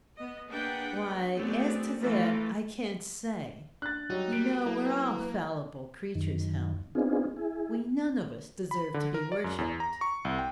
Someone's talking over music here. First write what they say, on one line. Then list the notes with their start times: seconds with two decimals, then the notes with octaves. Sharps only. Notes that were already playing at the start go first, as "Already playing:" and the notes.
'Why, as to that, I can't say: you know we're all fallible creatures, Helen; we none of us deserve to be worshipped.
0.16 B3 D#5
0.50 A#3 D4 G#4 B4 F#5 G5
1.35 F#3 A3 B3 C4 G#4 D5
1.99 E3 A3 A#3 F4
3.82 D4 F#6 A6
4.10 F#3 G3 D#4 F#4
4.33 G3 A#4 D7
4.66 F#3 A#3 E4 A4 B4
6.15 F#2 D#3
6.95 B3 C4 D4 D#4 F4 G#4
7.36 E4 G#4
8.71 B5
8.94 D3
9.14 A#4
9.32 D5
9.44 F#2
9.58 E2
9.80 A#5
10.01 C#6
10.25 C2
10.38 G5